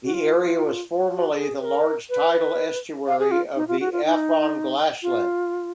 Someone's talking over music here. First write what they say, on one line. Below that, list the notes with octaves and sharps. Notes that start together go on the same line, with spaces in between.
The area was formerly the large tidal estuary of the Afon Glaslyn.
F#4
F4
F#4
G#4
B4
A#4
B4
F5
G#4
F4
D#4
F4
F#4
F4
D#4
F4